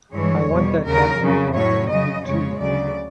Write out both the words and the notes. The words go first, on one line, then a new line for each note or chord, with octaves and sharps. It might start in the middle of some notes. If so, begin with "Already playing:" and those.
I want that duck you’ve got — and the pig too.
G2 E3 G#3 C#5
E2 B2 G3
D#2 C#3 F#3 A#4
F2 C#3 F#3
A2 F#3 C#5
F#2 C#3 F#3 D#5
F2 C#3 F3 G#3 C#5
D2 C#3 F#3 D5